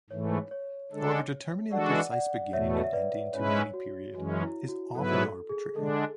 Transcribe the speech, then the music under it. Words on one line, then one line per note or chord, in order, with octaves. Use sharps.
However, determining the precise beginning and ending to any "period" is often arbitrary.
G#2 E3 A3 C#5
C#5
D3 G#3 D4 A4
E3 G#3 D4 F#4 A4 D5 F#5
D5 F#5
E2 B2 A3 C#5 E5
E5
B4 D5
G#2 G#3 C#4 E4 B4 C#5
F#4
F#2 E3 G#3 C#4 F#4
E4
F#4
G#2 F#3 B3 E4 A4 B4
A4
G#4
D3 G#3 D4 A4